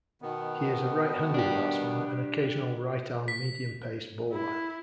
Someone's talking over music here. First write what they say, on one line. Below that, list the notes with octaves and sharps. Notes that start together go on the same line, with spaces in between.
He is a right-handed batsman and occasional right-arm medium-pace bowler.
B2 D#3 B3
D4 G4
B6
E4